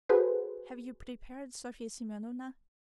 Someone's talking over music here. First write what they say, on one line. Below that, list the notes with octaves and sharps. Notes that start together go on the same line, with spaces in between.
"Have you prepared Sofya Semyonovna?"
F#4 G#4 A4 B4 C5